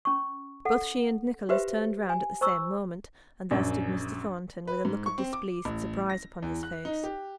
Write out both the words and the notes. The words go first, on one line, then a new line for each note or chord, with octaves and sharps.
Both she and Nicholas turned round at the same moment, and there stood Mr. Thornton, with a look of displeased surprise upon his face.
C#4 C#6
A4 F#5
F#4 G4 B4 C5 E5
G#5
C5 A#5 C#6 E6
A#1 F#2
B4
G#2
C#6
C4
D6
A1
A#6
E2
F#6
D#4
G4